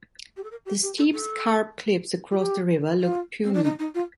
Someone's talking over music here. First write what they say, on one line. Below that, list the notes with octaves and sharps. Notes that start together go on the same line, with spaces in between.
The steep scarp cliffs across the river looked puny.
G4
A4
A#4
G4
G4
A4
A4
F4
G4
F4
C4
D4
D#4
D#4
F4